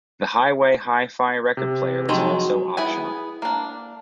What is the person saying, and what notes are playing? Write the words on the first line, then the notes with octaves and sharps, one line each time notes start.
The Highway Hi-Fi record player was also optional.
C3
D#3 F3 F#3 G#3 F#4
B3 E4 G#4 G#5
A#3 D4